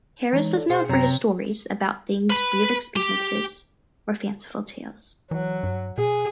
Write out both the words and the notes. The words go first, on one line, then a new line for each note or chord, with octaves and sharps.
Harris was known for his stories about things real experiences or fanciful tales.
E3 G#3 D#4 C#5 A#5
A4 D5
B2 G#4 C5 G5 C#7
F#2 C3 F#3 C#5 G5 A#5
B4 B5
G4
E3 F#3
G2
B2 G#4